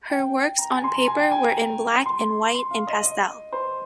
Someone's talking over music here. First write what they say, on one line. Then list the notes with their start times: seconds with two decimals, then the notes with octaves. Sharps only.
Her works on paper were in black and white and pastel.
0.10 G5
0.58 A#5
0.71 G#5
0.84 C6
0.95 A#5
1.08 G#5
1.19 G5
1.31 G#5
1.45 A#5
1.57 A#5
2.06 C6
2.55 C6
2.71 F5
2.87 D#5
3.04 D#5
3.53 C5